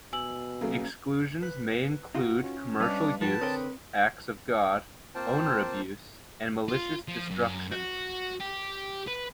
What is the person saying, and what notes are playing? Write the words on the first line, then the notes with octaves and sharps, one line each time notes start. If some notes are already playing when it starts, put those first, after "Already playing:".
Exclusions may include commercial use, "acts of God", owner abuse, and malicious destruction.
B2 G#5 E6 F#7
C#3 F#3 A3 A#3
B4 F#6
D#4 F4 F#4
C#4
G3 D4 B4 D#5 F5
F3 F#4 B4 G5 A5
D3 C4 A#4 C#5 G5 D#6
A#3 C4 F4 C5 G5 A5
F4
F3
F#2
F#4
G4
B4